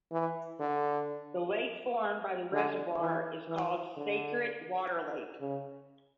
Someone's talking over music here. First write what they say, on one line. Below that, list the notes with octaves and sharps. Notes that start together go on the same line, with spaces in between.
The lake formed by the reservoir is called "Sacred Water Lake".
E3
D3
D3
E3
E3
D3
C#3